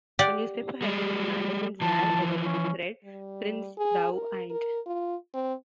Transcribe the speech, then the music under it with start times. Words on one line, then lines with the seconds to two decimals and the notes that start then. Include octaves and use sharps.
A newspaper headline on Anderson's rare error read "Prince Thou Ain't".
0.19 G4 D5 F#5
0.82 G3 G#3
1.82 E3 F3 A5
2.45 C#4
3.04 G3
3.78 G#4
4.13 A#4
4.50 A#4
4.86 F4
5.34 C4